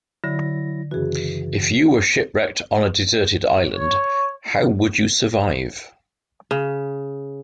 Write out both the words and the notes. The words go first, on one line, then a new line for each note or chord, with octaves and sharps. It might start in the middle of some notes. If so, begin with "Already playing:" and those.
If you were shipwrecked on a deserted island, how would you survive?
D3 F#3 E4 A#6
F#2 C#3 E3 F#4 G#4
C#5
C#3